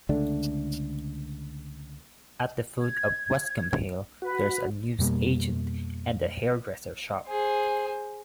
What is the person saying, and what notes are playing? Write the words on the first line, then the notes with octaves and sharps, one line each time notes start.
At the foot of Westcombe Hill, there is a newsagent and a hairdresser's shop.
C#2 D3 A3 D4
G#6
F#4 B4
F2 B2 G3 A#3
G#4 C5